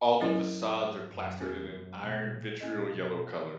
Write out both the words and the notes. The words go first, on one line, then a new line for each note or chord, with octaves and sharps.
All the facades are plastered in an iron vitriol yellow colour.
F#2 F#3 C#4 E4 A#4 D#5
G#2
F#2
E2 C#4 F#4 A#4
F#2
B2
A#2
A#2 C#4 E4 G#4 D#5
B2
B2